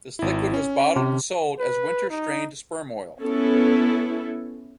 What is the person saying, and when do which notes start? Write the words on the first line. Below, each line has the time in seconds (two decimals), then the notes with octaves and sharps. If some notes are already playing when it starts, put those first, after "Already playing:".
This liquid was bottled and sold as "winter-strained sperm oil".
0.19 G#1 E4
0.54 C#4
0.96 C3
1.59 B4
2.10 D#4
3.22 B3 C#4 E4 A4